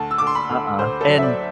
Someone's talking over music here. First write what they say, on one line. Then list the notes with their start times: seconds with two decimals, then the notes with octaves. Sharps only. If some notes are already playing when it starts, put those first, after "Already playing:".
Uh-uh, and
Already playing: D2 A5
0.11 E6
0.18 D2 D6
0.27 C6
0.35 B5
0.50 D2
0.79 D2 C5
1.01 A4
1.08 F#3
1.18 E5
1.23 D5